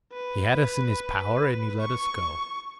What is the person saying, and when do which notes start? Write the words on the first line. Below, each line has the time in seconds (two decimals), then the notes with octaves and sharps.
He had us in his power and he let us go.
0.13 B4
1.81 C#6